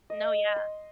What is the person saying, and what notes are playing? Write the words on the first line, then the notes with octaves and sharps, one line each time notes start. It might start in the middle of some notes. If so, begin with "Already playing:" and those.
No, yeah.
D#5
C6